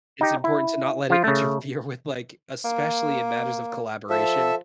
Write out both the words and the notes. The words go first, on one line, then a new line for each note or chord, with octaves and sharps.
It's important to not let it interfere with, like, especially in matters of collaboration,
D#4 G4
E4
F3 F4
C#3 A3
A#3
F3 A4 E5